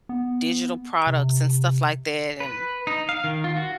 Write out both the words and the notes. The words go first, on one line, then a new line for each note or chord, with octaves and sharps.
digital products and stuff like that, and
B3
C3
B4
D#4
F5
D#3
F4
F#4